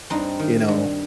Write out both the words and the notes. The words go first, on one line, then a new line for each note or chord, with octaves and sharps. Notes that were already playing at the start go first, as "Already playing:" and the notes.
you know
G2 C4 D#4
D#3
G2